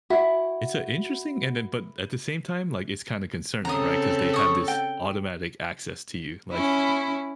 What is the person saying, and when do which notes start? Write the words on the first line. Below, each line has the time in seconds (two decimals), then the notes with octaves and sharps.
It's, uh, interesting, and then but at the same time, like, it's kinda concerning, right, 'cause they have this automatic access to you, like
0.10 E4 F#4
3.65 C#3 C4 A4 A#5 D#6
4.34 C#6 D#6
4.68 G5
6.52 C#4 E4